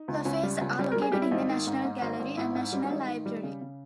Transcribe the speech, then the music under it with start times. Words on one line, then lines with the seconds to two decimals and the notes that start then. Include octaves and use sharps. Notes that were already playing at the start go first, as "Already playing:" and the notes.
Cafes are located in the National Gallery and National Library.
Already playing: D#4
0.08 C#2
0.25 C#2 C#4
0.43 G3
0.61 C#2
0.79 G3
0.92 G3 A#4
1.02 G#4
1.12 G3 G4
1.22 E4
1.31 G#1 D#4
1.49 D#3
1.67 G#2
1.85 G#2
2.02 G#1
2.20 G#1
2.37 G#2 E4
2.55 G#2
2.73 G3
2.84 C#4
2.90 G#1 D#4
3.08 D#3
3.26 G3
3.43 C#3
3.61 C#3